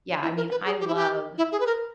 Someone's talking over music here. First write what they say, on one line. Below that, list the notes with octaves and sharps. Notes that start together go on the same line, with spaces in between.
yeah, I mean, I love
E4
A#4
B4
G#4
G4
E4
G4
E4
G#4
B4
A#4